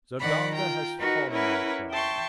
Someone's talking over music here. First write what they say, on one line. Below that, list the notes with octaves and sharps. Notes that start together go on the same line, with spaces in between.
"Zodanga has fallen," I cried.
D#3 D5 F#5 B5
F4 G5 A#5
D#4 F#4 A#4 B4
C#4 E4 A#4 B4 F#5
E5 G5 A5 C6 C#6